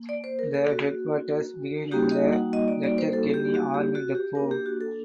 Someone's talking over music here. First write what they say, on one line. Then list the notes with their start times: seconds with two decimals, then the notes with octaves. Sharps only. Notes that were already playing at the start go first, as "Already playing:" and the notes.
The headwaters begin in the Letterkenny Army Depot.
Already playing: A#3
0.09 D5
0.24 C5
0.39 A#4
0.54 A4
0.70 F#4
1.92 G3 A#3 D#4 F#4 G4
2.11 D#5
2.33 F#5
2.53 D#5
2.68 D5
2.84 D5
2.98 C5
3.13 A4
3.34 G4
3.54 F#4
3.74 G4
3.95 F#4
4.15 G4
4.35 A#3 D4 F#4 A#4
4.51 G4
4.66 F#4
4.81 A4